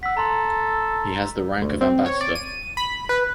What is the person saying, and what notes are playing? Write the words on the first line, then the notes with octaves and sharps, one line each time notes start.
He has the rank of ambassador.
F#5 E6 B6
A4 A#5 C6
D2
C4
C#5
D5
D#7
B5
B4